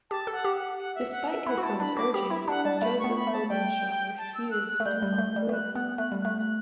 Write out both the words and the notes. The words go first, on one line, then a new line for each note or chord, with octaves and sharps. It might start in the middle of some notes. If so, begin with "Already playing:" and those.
Despite his son's urging, Joseph Openshaw refused to call the police.
G4 A5
A4
F#5
G4
F#5
F#5
E5
F#5
E5
E4 F#5
F#4
E4 A5
D4 B5
F#4 D6
G4 B5
E4 E5
D4 F#5
G3 A5
A3 B5
B3 C#6
B5
A3
A5
G3 G5
A5
E6
F#6
F#6
A3
G3 G6
G3
A3
G3
A3
G3 F#6
B3 F#6
A3 F#6
G3
A3 F#6
F#6